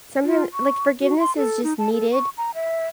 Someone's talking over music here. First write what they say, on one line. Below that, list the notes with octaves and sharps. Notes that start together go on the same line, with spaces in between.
sometim like forgiveness is just needed,
F4
C#6
F#4
C6
A4
D#4
A5
A4
C#6
A#5
E5